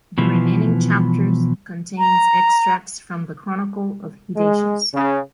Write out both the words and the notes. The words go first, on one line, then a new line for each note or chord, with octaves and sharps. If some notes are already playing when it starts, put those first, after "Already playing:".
The remaining chapters contains extracts from the Chronicle of Hydatius.
B2 E3 F3
A#5
G#3
C#3